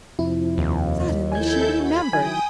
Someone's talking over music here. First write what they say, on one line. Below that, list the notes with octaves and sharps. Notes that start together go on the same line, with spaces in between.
Suddenly she remembered.
F2 C3 F3 E4
D#2
F3 E4 A4 G#5 G6 G#6
F#4 B5
D#3 F#3 E4 G5 G#5 D#6